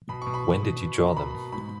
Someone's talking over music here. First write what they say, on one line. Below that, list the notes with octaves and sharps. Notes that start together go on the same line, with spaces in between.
When did you draw them?
B2 B5
B2 C#6
B5
B2
B2
B2
A#3
A#5
B2 B5
B2
G#2 B5